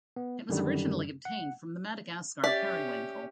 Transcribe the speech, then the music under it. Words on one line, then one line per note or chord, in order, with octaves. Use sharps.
It was originally obtained from the Madagascar periwinkle.
B3
F#2 D3 D#3 G3
F#5
C#4 G4 D5 E5 B6